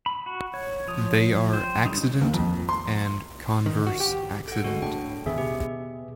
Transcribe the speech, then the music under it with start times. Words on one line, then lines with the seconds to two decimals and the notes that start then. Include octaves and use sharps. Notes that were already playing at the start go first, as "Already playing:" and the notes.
They are "accident" and "converse accident".
0.06 B5
0.26 F#4
0.54 C#5
0.88 F3 C#5 D#6
1.53 C5 G5
1.85 D3 G3 A3 C#4 D#4
2.21 D#2
2.34 F2
2.69 C6
3.66 D#3
3.87 F#4
4.00 G4
4.48 A4 F#5
4.64 D2 G#3 F#4
4.82 A2 D4 G5
5.26 D#2 C#3 B3 G#4 E5
5.38 B2 G4